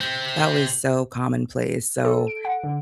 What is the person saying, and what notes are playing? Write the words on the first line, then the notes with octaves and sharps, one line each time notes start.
that was so commonplace, so
C3 C4
A4
D7
F#5
D3